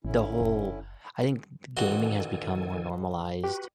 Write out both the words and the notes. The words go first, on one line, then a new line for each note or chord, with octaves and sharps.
The whole I think g g gaming has become more normalized,
A1 D3 C#4 E4
F#1
A1 D#3 F#4 A4 G#5 C6
F#4 G4 B4